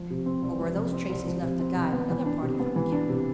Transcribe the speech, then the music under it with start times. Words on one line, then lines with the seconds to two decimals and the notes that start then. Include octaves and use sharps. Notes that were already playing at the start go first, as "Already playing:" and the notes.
Or were those traces left to guide another party from the camp?
Already playing: F3
0.10 C3
0.26 C4
0.42 C2
0.60 F3
0.76 C3
0.92 C4
1.09 C2
1.26 F3
1.42 C3
1.60 C4
1.76 C2
1.92 B3
2.10 E3
2.26 D4
2.42 C3
2.60 B3
2.76 E3
2.92 D4
3.09 C3